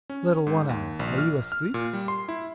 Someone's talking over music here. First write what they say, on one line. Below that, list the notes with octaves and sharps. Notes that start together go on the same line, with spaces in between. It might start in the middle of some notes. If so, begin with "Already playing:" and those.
Little One-eye, are you asleep?'
C#4
G#2
D#2
A#1
F6
F6
A#2
G3
C6
E4